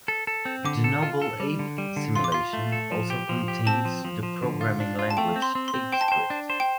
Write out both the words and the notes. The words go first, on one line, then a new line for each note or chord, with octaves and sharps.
The Noble Ape Simulation also contains the programming language, ApeScript.
A4
A4
C4
D3 D6
A4
F4
A4
G3
D3
G3
D3
F4 C6
D6
F4 C6
A3
A4
F3
G4
F3
G4
C4 A5
F3
F3
F3
D3
F4
D4
F4
A5
A3 G5
C4
C6
C4
C6
C4
C5 G5
A5
C5 G5
D4
C5
G5